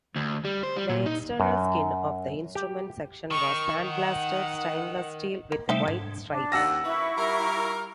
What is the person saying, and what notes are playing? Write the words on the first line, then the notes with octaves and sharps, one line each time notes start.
The external skin of the instrument section was sandblasted stainless steel with white stripes.
D2
G3
C5
G3
A#2
D#4
F#2
G4
D#3 C#6
F#5
A#3
C3 G3 A3 C4 D#4 E5
G#2 D3
D4
D#2 F#5 E6 A#6
F#2 E4 B4 E5 C#6
G3 F4 A#4